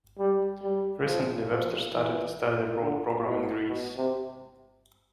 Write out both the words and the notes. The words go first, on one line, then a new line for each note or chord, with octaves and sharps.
Recently, Webster started a study abroad program in Greece.
G3
G3
F3
F3
E3
D3
B2
B2
C3